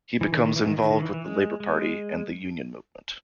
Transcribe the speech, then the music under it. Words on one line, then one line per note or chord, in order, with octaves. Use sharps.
He becomes involved with the Labour Party and the union movement.
E3
D#3
D#3
E3
D#3
D#3
D#3
E3
E3
G#3
G#3